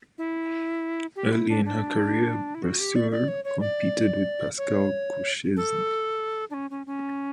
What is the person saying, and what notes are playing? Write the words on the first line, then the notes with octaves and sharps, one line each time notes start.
Early in her career, Brasseur competed with Pascal Courchesne.
E4
G4
E4
D4
D4
E4
F#4
G4
D5
D5
C#5
C#5
D5
C#5
A4
D4
C#4
C#4
C#4